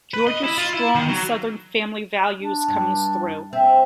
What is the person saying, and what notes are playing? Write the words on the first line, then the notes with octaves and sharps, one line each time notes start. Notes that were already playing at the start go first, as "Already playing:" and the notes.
George's strong Southern family values come through.
B4
D#5
E4
F4
E4
D#3
F#3
D4
G2
C4 E5